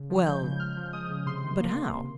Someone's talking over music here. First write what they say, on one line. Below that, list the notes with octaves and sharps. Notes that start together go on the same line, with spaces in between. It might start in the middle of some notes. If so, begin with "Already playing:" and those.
"Well; but how?"
Already playing: C#3
F3
G#3 G6
C#3
C#3 F6
F3
G#3 D#6
C#3
C3 C6
D#3
A#3
C3
C3